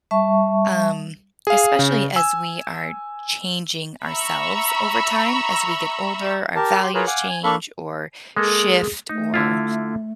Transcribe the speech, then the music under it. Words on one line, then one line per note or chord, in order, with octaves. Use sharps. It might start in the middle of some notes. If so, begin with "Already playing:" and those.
um, especially as we are changing ourselves over time. As we get older, our values change or shift or,
G3 E5 A5 C#6
G#4 F5
C#3
G#5 E6
E5 A#5 B5 C#6 E6
G4 A#4 A5
G4 C6
F4 G#4 A#4 B4 C#5
F5 F#5 G#5 D6
G#5
A#3 D4 A4 F5 B5 C#6
G#3 A#3 G#4 A4
A3 D#4
D3 E4 F4